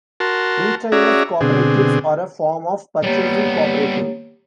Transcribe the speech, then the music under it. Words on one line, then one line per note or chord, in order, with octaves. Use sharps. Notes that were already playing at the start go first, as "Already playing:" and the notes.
Retailers' cooperatives are a form of purchasing cooperative.
F#4 A#4 A5 C6
C#4 F#4 G#4 D5 E5 A#5
B2 D3 C4 G#4
G3 A#3 B3 G4 C#5